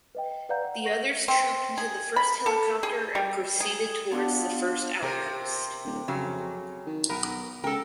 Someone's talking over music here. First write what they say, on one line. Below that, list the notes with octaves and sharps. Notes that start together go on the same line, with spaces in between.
The others trooped into the first helicopter and proceeded towards the first outpost.
B4 D#5 G5
B4 D5 F5 F#5 A#5 G6
F#5
C#6 A#6 D#7
C4
G#4
B5
A4
G#4
G3
G#4
B3 D4 F4 A4
C3 A#4
D1
F2 C#3 F#3
D#3
B1 B3 A#4
C#2 A4 A#4 G5